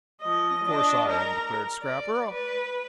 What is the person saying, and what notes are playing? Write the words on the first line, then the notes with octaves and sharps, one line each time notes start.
"Of course I am," declared Scrapper.
F3 D#5
D4 D#5
A#4 A#5
D5
B4